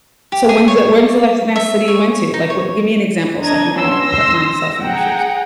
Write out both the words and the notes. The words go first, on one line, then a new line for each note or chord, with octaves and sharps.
So, when's the when's the last last city you went to? Like, wh give me an example so I can kinda like put myself in your shoes.
G4
G#4
C#5
D5
E5
C#5
D#4
C#5
D4 D#5 A#5 G#6
B3 C#4 D4 C#5 C6 E6
C6 E6 A#6
E6 A#6
G#4 F#5 G5 A#5